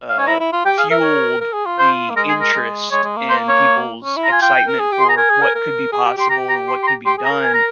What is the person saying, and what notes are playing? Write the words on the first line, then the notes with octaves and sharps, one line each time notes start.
uh, fueled the interest in people's excitement for what could be possible and what could be done,
F5
C#4 G#5
E4 A#5
E4
F4
G4 G5
G#4 F5
A#4 E5
C#5
A#4
G#4
F4
C5
A#3
G#3 A#4
G#4
A#4
G#3
G#3 C#5
G#3
A#3
C5
C#5
C#4
E4
A#5
F4 G#5
F4 G5
A#4
G#4
G4
C6
G#4 A#5
A#4 G#5
G#4
A#4
A#4
G#4
G4
G4 C6
G4 A#5
A#5
C6
C6
A#5
G4 C6
G#4
A#5
A#4
G#5
A#5